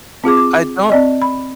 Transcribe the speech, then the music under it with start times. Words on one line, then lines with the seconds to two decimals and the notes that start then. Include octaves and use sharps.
I don't
0.24 C4 F4 G#4 D6
0.37 D6
0.90 C4 D5 D#5
1.22 B5